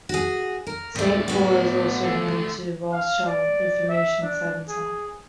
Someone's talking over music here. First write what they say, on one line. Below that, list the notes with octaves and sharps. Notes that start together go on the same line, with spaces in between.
Saint Paul's is also home to the Walsall Information Centre.
F#4 G#4
A#4
D2 A2 A3 D4
B3 F#4
D3 A3
F5
D5
E5
D4
G#4